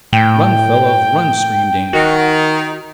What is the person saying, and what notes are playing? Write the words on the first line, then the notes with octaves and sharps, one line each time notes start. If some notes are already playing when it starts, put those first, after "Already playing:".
"Run fellows, run!" screamed Andy.
A2 G5
D#3 F#4